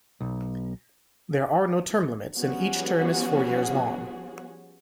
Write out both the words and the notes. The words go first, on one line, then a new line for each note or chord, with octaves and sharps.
There are no term limits, and each term is four years long.
B1
F3 G3 B3 C#4 F#4 G#4